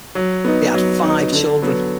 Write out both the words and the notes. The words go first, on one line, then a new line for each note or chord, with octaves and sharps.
They had five children.
F#3
B3 D#4
F#3
B3 D#4
D3
F#3 B3